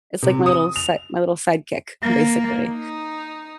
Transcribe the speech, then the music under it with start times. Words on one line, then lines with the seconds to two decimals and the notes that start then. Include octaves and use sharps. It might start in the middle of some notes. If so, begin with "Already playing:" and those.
It's like my little set my little sidekick basically.
0.22 C3
0.46 D#6
0.76 F7
2.02 A#3
2.71 D#4